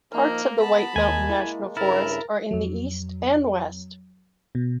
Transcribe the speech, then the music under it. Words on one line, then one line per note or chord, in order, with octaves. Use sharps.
Parts of the White Mountain National Forest are in the east and west.
F3 A#3 D#4 A#4 F6
B3 A5 B5
D#2 G#3 A#3 D#5 G#5
E4 G#4
G2 C#3 E4 A#4 F6 A6
F2 F#3
B2